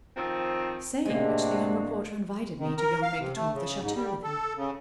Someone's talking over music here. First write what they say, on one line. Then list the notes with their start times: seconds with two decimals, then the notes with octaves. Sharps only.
Saying which the young reporter invited me to go and make the tour of the chateau with him.
0.16 D#3 F3 C4
1.05 D2 A2 C3 G#3 A#3 D4 F#4
2.59 D#3
2.77 A#4
3.02 F5
3.19 C3
3.36 A3
3.54 C#3
3.81 G#2
3.94 G3
4.23 A4
4.57 C#3